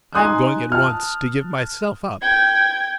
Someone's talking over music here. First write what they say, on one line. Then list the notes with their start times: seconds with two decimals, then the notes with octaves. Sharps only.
I am going at once to give myself up.
0.15 D#4 G#5 C6 D#6 F#6
0.72 A5 F6
2.22 G5 G#6